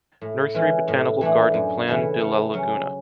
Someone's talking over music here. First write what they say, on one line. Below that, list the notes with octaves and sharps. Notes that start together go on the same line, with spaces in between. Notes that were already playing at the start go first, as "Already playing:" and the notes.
Nursery Botanical Garden Plan de la Laguna.
A2
E3 G#3 C#4
A2
E3 A3 D4
F#2
C#3 E3 A3 E4
C#3
F#3 C#4